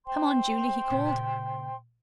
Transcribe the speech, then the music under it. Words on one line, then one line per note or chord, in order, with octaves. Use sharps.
"Come on, Julie," he called.
C5 G5 C6
A#2 C#3